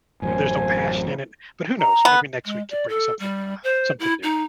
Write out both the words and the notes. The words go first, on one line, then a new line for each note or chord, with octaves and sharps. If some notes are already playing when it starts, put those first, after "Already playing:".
you know, there's no passion in it, but who knows, maybe next week could bring something, uh something new,
A1 F#2 C5 G#5
A#5
B3
G#3
D5
A4
G3
C5
E4
D#4